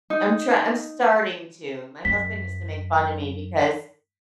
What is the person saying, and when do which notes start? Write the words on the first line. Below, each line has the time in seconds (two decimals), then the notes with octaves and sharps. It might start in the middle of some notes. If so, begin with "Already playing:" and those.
I'm try I'm starting to. My husband used to make fun of me because
0.10 D#4
2.05 F#2 B6